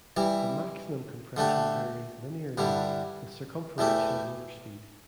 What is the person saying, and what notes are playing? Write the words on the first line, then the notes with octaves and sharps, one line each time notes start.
The maximum compression varies linearly with circumferential rotor speed.
E3 G3 E4
D3 A3 D4 G4
G2 D3 G3 E4
E2 E3 A3 E4 G4